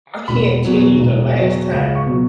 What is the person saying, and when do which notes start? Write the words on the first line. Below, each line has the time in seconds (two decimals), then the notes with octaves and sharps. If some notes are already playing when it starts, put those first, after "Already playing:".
I can't tell you the last time
0.28 E1 B5
0.65 E2 B2 F#3
1.00 E1
1.35 E2 B2 F#3
1.71 C#2
1.95 C#6
2.06 B2 F#3